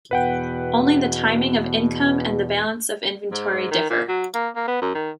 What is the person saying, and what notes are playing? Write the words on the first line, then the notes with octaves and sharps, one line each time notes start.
Only the timing of income and the balance of inventory differ.
E2 B2 B4 F#5 G5
G#2
D#3
A#2
F#3
A#3
A#3
B3
F#2
D#3